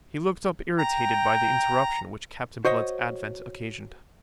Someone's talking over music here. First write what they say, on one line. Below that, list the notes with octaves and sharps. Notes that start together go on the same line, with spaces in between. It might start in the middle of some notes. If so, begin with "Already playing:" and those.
He looked up irritated by the interruption which Captain Blood's advent occasioned.
G5 A#5
F#4 C5 C#5 D#5